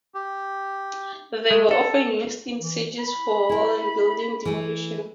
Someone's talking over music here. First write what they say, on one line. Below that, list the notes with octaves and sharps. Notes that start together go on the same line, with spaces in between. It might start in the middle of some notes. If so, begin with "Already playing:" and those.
They were often used in sieges for wall and building demolition.
G4
G#3
A4
E3
B5
E4 A#4
E3 A3